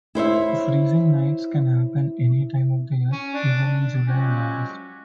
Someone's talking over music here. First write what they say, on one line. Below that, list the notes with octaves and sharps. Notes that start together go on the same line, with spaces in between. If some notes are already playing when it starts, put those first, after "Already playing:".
Freezing nights can happen any time of the year, even in July and August.
E4 C5 C#5 E5
C#4
D4
F3 F#3 G#3 C#4 F#4 G4